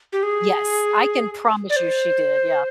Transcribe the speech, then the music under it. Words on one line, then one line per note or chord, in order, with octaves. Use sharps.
Yes, I can promise you she did, yeah.
G4
G#4
D5
C5